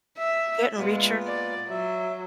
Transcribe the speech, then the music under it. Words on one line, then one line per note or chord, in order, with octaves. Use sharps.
Didn't reach her.
E5
A#2 G#3 B3 F4
D5
F#3 E5